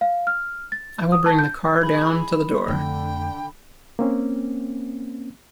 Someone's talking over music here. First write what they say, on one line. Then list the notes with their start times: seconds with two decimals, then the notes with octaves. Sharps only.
I will bring the car down to the door.
0.01 F5
0.27 F6
0.72 A6
1.12 D#6
1.26 A5
1.39 G6
1.83 G#4 B5
2.68 F2 D3 A3 G5
3.99 A#3 C4 C#4